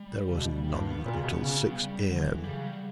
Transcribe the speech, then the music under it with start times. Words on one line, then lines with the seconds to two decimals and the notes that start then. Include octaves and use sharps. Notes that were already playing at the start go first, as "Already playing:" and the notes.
There was none until six A.M.
Already playing: G3
0.30 C#3
0.36 B2
0.63 G3
0.70 G2 A#3
0.88 B3
1.06 A#2 B3
1.14 C#3
1.22 B2 B3
1.40 C#3 C#4
1.57 B3
1.70 F#3
1.75 G3
2.08 D3 F#3
2.27 E3
2.44 C#3 G3
2.55 F#3
2.66 G3